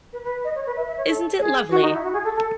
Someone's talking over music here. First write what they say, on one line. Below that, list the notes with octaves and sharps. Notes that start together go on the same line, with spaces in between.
Isn’t it lovely?
B4
B4
D#5
C#5
B4
E5
E5
C#5
A4
G#4
F#4
D#4
E4
F#4
G#4
A4
A4